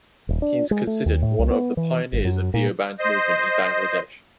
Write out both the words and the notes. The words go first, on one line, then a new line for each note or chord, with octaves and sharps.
He is considered one of the pioneers of Deoband movement in Bangladesh.
D#1
D4
G#3
A3
D#2
A2
C2
B3
E3
G1
F#2
A#2
C5 D#5